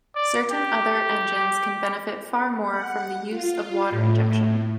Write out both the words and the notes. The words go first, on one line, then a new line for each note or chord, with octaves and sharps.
Certain other engines can benefit far more from the use of water injection.
D5
G4
F#5
F4
A2